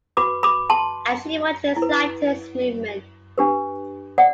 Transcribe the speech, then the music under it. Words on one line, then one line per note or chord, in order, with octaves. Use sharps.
And she watched his slightest movement...
F#4 B4 B5 D6
B5 D6
A5 C6
E4
B4
D4 G4 B4
D5 F#5